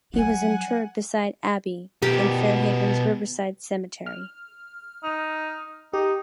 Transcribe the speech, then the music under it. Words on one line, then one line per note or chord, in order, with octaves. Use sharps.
He was interred beside Abbie in Fairhaven's Riverside Cemetery.
F3 F#3 F#5 G#5
B2 G4 A#4
F6
D#4
D#4 G4